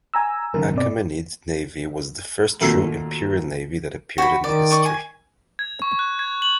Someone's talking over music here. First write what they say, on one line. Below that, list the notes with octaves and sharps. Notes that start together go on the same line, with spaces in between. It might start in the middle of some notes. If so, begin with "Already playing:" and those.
Achaemenid navy was the first true "imperial navy" that appeared in the history.
G#5 A#5 E6
F#1 F#2 D#3 A#4
G2 B2 C4 D5
D#2 A#2 A3 F#4 E6
F#4 B5
D#3 D5
D5 C#6 D6
G#5
G#6
C#6
F#6
G#6
F#7